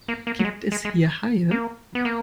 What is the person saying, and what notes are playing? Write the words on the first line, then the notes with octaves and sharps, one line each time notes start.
Gibt es hier Haie?
A#3
A#3
F#3
G#3
G#3
G#3
A#3
B3
A#3